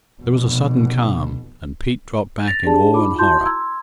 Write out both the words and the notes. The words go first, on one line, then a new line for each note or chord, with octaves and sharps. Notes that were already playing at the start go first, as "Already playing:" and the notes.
There was a sudden calm, and Pete dropped back in awe and horror.
F1 B2
A6 A#6 F7
D4 G4 G#4 D5 A5
D#4 F4 B5 D6
E4 F#4 A5 C6 G6
A#5 C6 E6 G#6